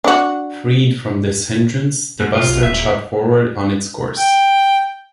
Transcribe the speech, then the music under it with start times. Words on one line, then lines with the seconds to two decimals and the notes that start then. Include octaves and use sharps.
Freed from this hindrance, the Buster shot forward on its course.
0.04 D4 F#4
2.20 G#2
2.35 C3 F4
2.48 B1
2.63 D#1 E5
4.18 G5